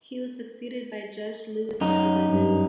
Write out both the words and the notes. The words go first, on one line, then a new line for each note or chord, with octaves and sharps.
He was succeeded by Judge Louis Earl Goodman.
F#2 D#4
G2